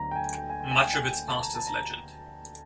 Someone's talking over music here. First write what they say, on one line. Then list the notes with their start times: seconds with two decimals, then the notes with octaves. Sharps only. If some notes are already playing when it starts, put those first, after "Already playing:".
Much of its past is legend.
Already playing: D2 D3 F#3 B3 A#5
0.11 G5
0.16 G#5
0.38 G5
0.50 G#5
0.60 G5
0.71 G#5
0.82 G5
0.94 G#5
1.04 G5
1.28 A5
1.41 A#5
1.55 A5
1.67 A#5